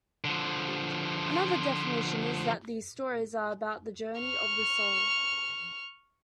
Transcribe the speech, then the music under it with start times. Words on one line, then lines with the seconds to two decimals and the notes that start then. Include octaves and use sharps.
Another definition is that these stories are about the journey of the soul.
0.24 D3 F3
4.20 C#6 F6